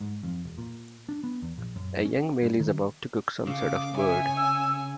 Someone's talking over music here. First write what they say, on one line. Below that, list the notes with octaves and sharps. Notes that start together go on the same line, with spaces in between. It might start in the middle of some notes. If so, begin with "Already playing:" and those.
A young male is about to cook some sort of bird.
G#2
F2
E1
A#2
D4
B3
E2
A#1
F#2
C#4
G2
D#3
C#3 F5 D6
C#5 E5 G#5
E6